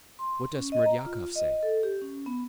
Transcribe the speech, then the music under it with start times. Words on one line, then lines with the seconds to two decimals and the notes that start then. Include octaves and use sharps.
What does Smerdyakov say?
0.19 C6
0.56 C#4
0.72 D#5
0.86 A#5
1.06 F4
1.36 D#5
1.63 A4
1.83 G4
2.02 C#4
2.26 B3